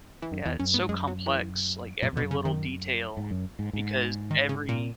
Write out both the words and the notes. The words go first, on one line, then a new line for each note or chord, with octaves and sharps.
Yeah, it's so complex, like, every little detail, because every
E3
F#2 D#3
E2 E3
F#2 C#4
G#2 B3
F#2 G#3
F#3
E3
F#2 A#2
E2
B2
F#2
C#3
D#3
G#2
F#2
G#2
G#2
D#3
C#3
A#2